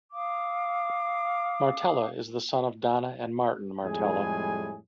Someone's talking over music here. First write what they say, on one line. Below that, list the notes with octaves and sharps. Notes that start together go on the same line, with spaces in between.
Martella is the son of Donna and Martin Martella.
F5 D6 D#6
F2 A2 G3 G#3 G#4 G#5